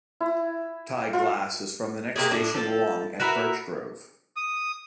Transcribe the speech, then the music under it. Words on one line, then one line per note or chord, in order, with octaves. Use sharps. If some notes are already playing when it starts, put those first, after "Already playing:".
Ty Glas is from the next station along at Birchgrove.
E4
F4
C3 A#3 G4 G#4
A2 D4
F3 A4
F#4 A#4 B4 E5
D#6